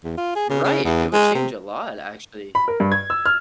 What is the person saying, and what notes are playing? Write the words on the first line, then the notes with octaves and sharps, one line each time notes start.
Right. It would change a lot, actually.
E2
F4
G#4
C#3
C#3
E2
G#3
C3
B5
A#4
G2
G#6
E6
F6